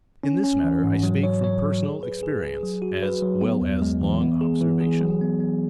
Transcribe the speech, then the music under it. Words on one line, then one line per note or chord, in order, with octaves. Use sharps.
In this matter I speak from personal experience as well as long observation.
C#4
C#4
E3
G#2
F#3
C#5
C#5
F#3
G#4
B4
G#4
G#4
F#3
F#4
B4
F#3
B3
E2
G#3
E3
B3
G#4
E3
G#4
F#3
B3
B3